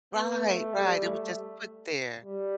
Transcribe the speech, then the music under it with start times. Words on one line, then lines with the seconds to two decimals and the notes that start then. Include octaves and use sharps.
Right, right, it was just put there.
0.13 B3
0.43 A3
0.74 G3
1.04 A3
2.24 G3